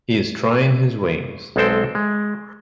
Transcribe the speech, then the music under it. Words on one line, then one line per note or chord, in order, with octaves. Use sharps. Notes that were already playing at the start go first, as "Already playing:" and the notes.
He is trying his wings.
B1 G#3 C4 A4 C5 G5
G#3